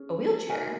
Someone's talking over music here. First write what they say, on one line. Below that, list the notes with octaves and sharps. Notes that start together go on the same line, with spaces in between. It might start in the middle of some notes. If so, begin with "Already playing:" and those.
a wheelchair.
Already playing: C#4 G#4
D#4 F#4 A#4 G#5